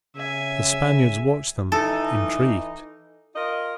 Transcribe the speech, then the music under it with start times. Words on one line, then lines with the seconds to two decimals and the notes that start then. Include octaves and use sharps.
The Spaniards watched them, intrigued.
0.16 C#3 E5 G#5
1.72 E3 D#4 A4
3.35 F4 A#4 D#5